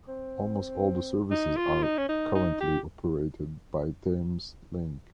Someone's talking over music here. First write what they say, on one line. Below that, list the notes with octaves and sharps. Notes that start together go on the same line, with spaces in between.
Almost all the services are currently operated by Thameslink.
C4
D#4
F4
D#4
C#4
D#4
D#4
G4